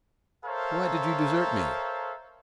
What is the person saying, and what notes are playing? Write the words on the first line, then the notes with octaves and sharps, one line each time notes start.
Why did you desert me?
A4 A#4 C5 C#5 E5 F5